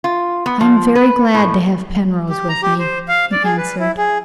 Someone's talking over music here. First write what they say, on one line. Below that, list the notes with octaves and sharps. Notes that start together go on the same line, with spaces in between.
"I am very glad to have Penrose with me," he answered.
F4
B3
F3
B4
A2
G4
A#5
G4
C5
F5
D5
G#4
B4
E4
G#4